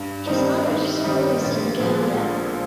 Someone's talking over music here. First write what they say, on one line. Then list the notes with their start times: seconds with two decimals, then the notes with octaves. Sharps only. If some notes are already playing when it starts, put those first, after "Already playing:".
His mother still lives in The Gambia.
Already playing: G2
0.27 D#3 G3 C4 D#4
0.66 G2
1.04 D#3 G3 C4 D#4
1.42 A#1
1.80 A#2 F3 G#3
2.18 A#1